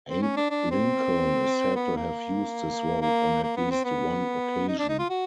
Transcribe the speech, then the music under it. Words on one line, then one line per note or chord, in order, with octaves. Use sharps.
Abe Lincoln is said to have used this road on at least one occasion.
C4
C#4
D4
D4
C4
B3
A#3
A#3
A#3
B3
C4
B3
D#4
D4
D#4
F4
F#4